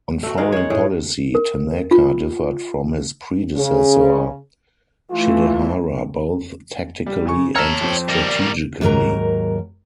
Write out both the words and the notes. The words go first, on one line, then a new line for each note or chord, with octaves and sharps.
On foreign policy, Tanaka differed from his predecessor Shidehara both tactically and strategically.
A3 F#4
D#3 G#3 F5 F#5
C#5 F#5
A2 G#4
A#4
F4
C#3
E3 A3 F4
G3
C#3 G#5 C#6
C#5 A5 A#5 E6 F6
F2 F3 C4
G3 A#4
D5
D#2 G#2 F#3 A#4 A#5